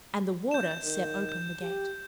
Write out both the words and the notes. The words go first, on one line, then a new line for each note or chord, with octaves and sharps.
And the Warder set open the gate.
G6 E7
D#3
G6
G4